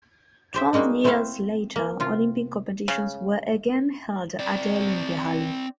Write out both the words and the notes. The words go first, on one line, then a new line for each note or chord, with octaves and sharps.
Twelve years later, Olympic competitions were again held at the Olympiahalle.
G4 C5 E5
G3 G#3 A#3 D#4 F#4
A3 C4 E4 C5 F5 F#5
A#3
C3 F4
C#3
C4 D5